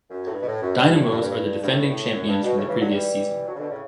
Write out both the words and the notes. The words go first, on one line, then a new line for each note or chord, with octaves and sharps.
Dynamos are the defending champions from the previous season.
F#2
A2
G2
B2
A2
F#2
G2
G2
A2
G2
G2
G2
A2
G2
A2
F#2
G2
B2
A2 C#3
C#3 E3
D3 F#3
E3 G3
D3 F#3
C#3
B2 D3
A2 C#3